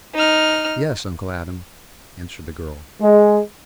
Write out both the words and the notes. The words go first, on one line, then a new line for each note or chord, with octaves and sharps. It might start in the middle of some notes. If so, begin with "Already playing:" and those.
"Yes, Uncle Adam," answered the girl.
D#4 F6
G#3